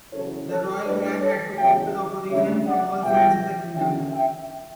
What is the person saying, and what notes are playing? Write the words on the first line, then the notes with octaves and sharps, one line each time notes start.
The royal clan had to cope with opposition from all sides in the kingdom.
E2 C#3 F#3 C#4 E4 A4 C#5
A4 C#5
A2 G3 D4 B4 D5
A4 C#5
E2 C#3 F#3 E5 G5
D2 C#3 G3 D4 C#5 E5
D5 F#5
C#2 B2 G3 E5 G5
E2 D3 F#3 C#4 E5 G5
E5 G5